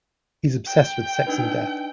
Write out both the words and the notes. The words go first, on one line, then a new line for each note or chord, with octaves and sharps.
He's obsessed with sex and death.
G5
D4 D#4 B4